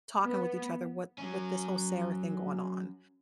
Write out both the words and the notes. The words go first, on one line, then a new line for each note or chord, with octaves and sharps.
talking with each other what with this whole Sarah thing going on.
B3
F#3 C#4